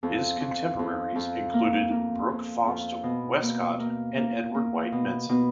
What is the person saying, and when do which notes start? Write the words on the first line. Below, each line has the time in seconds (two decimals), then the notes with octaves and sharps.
His contemporaries included Brooke Foss Westcott and Edward White Benson.
0.03 F2
0.40 F2
0.79 F2
1.15 F2
1.54 A#3
1.91 A#3
2.29 F2
2.66 F2
3.03 B2
3.42 A#3
3.79 A#3
4.17 A#3
4.54 A#3
4.92 B2
5.29 B2